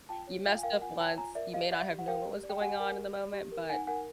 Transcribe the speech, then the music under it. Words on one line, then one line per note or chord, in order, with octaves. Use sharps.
you messed up once, you may not have known what was going on in the moment, but
F4 G5 A5
C#5
F4 F5 G5
G#5
A#4 F5 G5
F4 F#5 G#5
C#5 G5 A5
F4 G#5 A#5
A#4 D5 E5
G4 D#5 F5
D5 E5 F#5
G4
F#5
A#4 F5 G5
G4
D5
G5
G4 F#5 G#5
A#4
G4
D5
G4
A#4
D#4 F#5 G#5
A#4 F#5 G#5